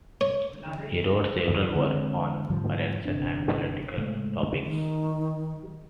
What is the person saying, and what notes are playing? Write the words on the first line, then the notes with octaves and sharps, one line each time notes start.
He wrote several works on financial and political topics.
C#5
D3 G#3 A3 C4
G#2 D3 F3 G3
G1 C3 D4
A2 C#3 G#3 A3
D#3